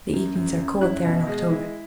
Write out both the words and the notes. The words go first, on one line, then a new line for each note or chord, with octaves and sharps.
The evenings are cold there in October.
F#2
F#2
F#2
E4 F#6
B2
G#3
E4